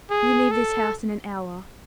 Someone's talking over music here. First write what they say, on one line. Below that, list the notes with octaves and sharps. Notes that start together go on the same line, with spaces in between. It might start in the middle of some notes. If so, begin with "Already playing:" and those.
You leave this house in an hour.
G#4
A4